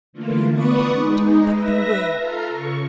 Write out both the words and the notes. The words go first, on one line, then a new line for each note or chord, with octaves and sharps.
You may hate, but beware!
D3 E3 A3 A#3 F4
B3 B4 D5 C#6 D#6
G#3 D#4
B4 E5 A#6
F4 A4 F5 A#5
C#3 C#6